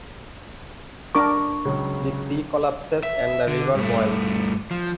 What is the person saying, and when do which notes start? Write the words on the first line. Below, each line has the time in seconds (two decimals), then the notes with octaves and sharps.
The sea collapses and the river boils.
1.15 D4 A#4 C#6 D6
1.65 C#2 C#3 F#3
3.03 E5
3.48 D3
3.75 G2 A3
4.71 F3